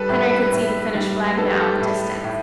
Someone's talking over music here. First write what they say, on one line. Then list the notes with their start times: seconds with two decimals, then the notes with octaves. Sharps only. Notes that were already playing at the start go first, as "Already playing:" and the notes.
Henry could see the finish-flag now in the distance.
Already playing: G3 A4 B4
0.09 A2
0.23 B4
0.52 A2
0.95 G3
1.37 B3 A4
1.50 G4
1.61 A4
1.81 A2
2.24 A2